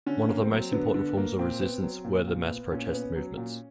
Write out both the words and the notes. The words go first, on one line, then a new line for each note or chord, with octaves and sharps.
One of the most important forms of resistance were the mass protest movements.
D3 C#4
A#3
C4
F#3
D3 B3
D3
A#3
A#2 C4
B3
F#3
A#2
A#2
B3
A#2 C#4
B3
F#3
A#2